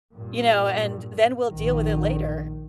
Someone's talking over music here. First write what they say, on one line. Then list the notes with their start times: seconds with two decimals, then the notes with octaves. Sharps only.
you know, and then we'll deal with it later.
0.14 G2 A#2
1.49 A#1 D#3